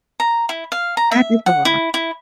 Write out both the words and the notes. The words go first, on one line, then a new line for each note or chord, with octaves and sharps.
That is a lot.
A#5
E4
F5
A#5
E5
F#5
E4
E4